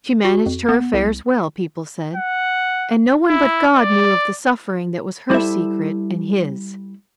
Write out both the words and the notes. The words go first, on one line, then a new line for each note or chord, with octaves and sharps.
She managed her affairs well, people said, and no one but God knew of the suffering that was her secret and His.
F#4
F2
B3
C2
F#5
E4
D5
G3 E4 A4 C5 E5